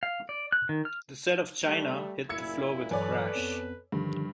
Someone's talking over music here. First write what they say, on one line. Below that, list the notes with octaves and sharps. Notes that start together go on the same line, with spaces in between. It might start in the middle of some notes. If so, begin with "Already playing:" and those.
The set of china hit the floor with a crash.
F5
D5
F#6
D#3
F6
G3 A3
F#1 A#2 E4 E6 G#6 C#7
G2 E3 F#3 A4 B4 C#5 D5 G#5
F2 B3 C4
G2 D3 D#3 F3